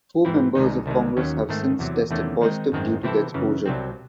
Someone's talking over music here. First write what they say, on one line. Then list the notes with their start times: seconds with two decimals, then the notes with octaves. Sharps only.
Four members of Congress have since tested positive due to the exposure.
0.25 G#2 E3 C4 E4
0.55 C2 C3 D#3 G#3 D#4
0.86 C2 C3 D#3 G#3
1.17 D#2 D#3 F#3 C#4
1.49 G#2 D#3 A3 C4
1.79 E2 C3 F#3
2.11 E2 C3 D#3 A3 C#4
2.41 D#3 G#3 C4 D#4
2.72 G#1 F#2 D#3 G#3 C4
3.03 C3 E3 C4 E4 A4
3.34 F#2 C#3 E3
3.66 C2 C3 F#3 C4